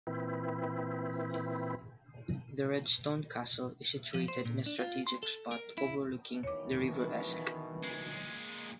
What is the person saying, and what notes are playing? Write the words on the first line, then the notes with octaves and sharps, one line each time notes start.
The red stone castle is situated in a strategic spot overlooking the River Esk.
A#2 E3 C4 E4
F3
C5
A#2
D4
F4
C6
A4
A#4
E4
B2 D#3 E3 C#5 D6
A#2 G#3